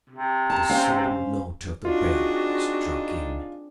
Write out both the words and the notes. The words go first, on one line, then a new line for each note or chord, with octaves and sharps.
The solemn note of the bell struck in.
C3
A5 A#5
C#4 C5 F5
C4 D4 D#4 F4 F#4 G#4